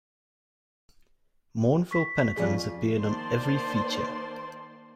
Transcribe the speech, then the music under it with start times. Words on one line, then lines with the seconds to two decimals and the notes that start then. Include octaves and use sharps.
Mournful penitence appeared on every feature.
1.91 C#6 B6
2.37 F2 F3 C#4 G#4 D5
3.00 D#3 A#3 C5 D5 A5 C6